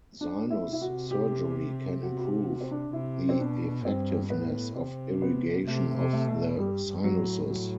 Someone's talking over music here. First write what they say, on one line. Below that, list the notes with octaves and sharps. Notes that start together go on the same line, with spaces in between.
Sinus surgery can improve the effectiveness of irrigation of the sinuses.
D4
E4
C3
E4
F#4
G4
F#4
F#4
G4
F#4
C4
D4
C3 E4
C4
B2 D4
G2 C4
A2 B3
C3 C4
B3
C3 A3
C3
A3
B2
G2 G3
G2
F#3
A2
G3
F#3